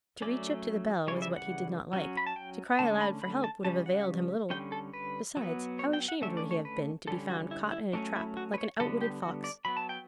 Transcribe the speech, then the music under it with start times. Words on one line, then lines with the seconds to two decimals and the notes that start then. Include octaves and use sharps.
To reach up to the bell was what he did not like; to cry aloud for help would have availed him little; besides, how ashamed would he have been to be found caught in a trap, like an outwitted fox!
0.22 F#3 A3 C#4 D5
1.08 C#3 E3 G3 C#5
1.22 E5
1.36 F#5
1.93 F#3 C#4
2.17 B5
2.27 A5
2.36 G5
2.79 D3 A3 C#4 A5
3.01 B5
3.22 B5
3.44 A5
3.65 C#3 G3 C#4 A5
3.86 F#5
4.50 D3 G3 C#4 G5
4.72 A4
4.94 B4
5.37 F#3 B3
5.79 C#5
5.93 G5
6.08 F#5
6.22 D3 A3 C#4 E5
6.37 D5
6.51 C#5
6.65 B4
7.07 D3 G3 C#4 A4
7.30 F#4
7.51 E4
7.72 E4
7.93 F#3 A3 C#4 D4
8.16 E4
8.37 F#4
8.54 B4
8.58 C#5
8.80 D3 G3 B3 A4
9.01 G4
9.22 F#4
9.44 D5
9.65 F#3 B3 B5
9.77 A5
9.89 G5